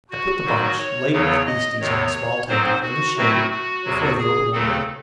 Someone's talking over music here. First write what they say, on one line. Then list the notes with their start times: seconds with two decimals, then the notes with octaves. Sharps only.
I put the bunch laden with beasties on a small table, in the shade, before the open window.
0.10 F#4
0.44 G#2 D#3 F#3
0.78 C#5
1.12 E2 C#3 F#3 C#5
1.46 D#5
1.80 E2 C3 D#3 C#5
2.48 G#2 F#3 C4 C5
2.82 F#4
3.16 A2 F#3 A3 C4 F#4
3.50 F#4
3.84 E2 C3 F#3
4.18 G#4
4.52 D#2 C#3 F#3 A3 C4 A4